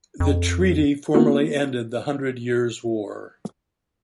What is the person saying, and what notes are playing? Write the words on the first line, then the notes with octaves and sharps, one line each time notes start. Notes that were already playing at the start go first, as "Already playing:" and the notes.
The treaty formally ended the Hundred Years' War.
F2
A#3 B3 C#4 E4 F#4